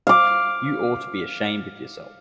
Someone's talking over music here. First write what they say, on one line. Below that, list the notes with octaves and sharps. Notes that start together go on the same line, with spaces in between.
You ought to be ashamed of yourself.
F5 D6